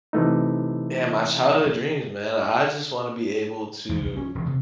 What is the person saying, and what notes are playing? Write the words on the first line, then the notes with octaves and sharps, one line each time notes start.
Yeah, my childhood dreams, man, I just want to be able to
C3 E3 A3 D#4
E2
C2
C#4
E1
C3